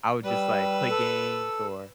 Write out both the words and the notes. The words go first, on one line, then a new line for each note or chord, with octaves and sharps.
I would just, like, play games or
G3 B4 E6
A4